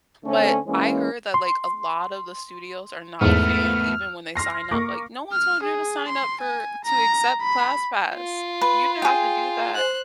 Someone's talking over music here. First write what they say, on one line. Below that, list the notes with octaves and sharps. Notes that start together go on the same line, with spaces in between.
but I heard that, like, a lot of the studios are not a fan even when they sign up. Like, "No one told you to sign up for to accept ClassPass. You didn't have to do that."
D3 A3 C4 C#4
E3 G#3 A#3 C#4
C6
E2 G#2 A3 B3 F6
C6 F6 A#6 C7
A#3 C#6 D6 A#6
F6
G#4
C6
G#5
A#5
B5
F4
B4
G#4 G5
C5 F#6